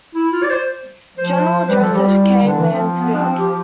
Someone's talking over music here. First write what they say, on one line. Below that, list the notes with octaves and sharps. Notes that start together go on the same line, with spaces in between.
General Joseph K. Mansfield.
E4
F4
D5
C5
F3 C5
C5
G3 B4
F3 A4
G3 G4
F4
E4
D3 D4
E3
F3 C4
B3
D4
C4
G4